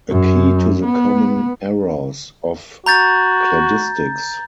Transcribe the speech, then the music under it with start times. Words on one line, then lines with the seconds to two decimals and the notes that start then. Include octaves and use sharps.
"A key to the common errors of cladistics".
0.10 F#2
0.85 B3
2.86 F#4 A#5 G6 A6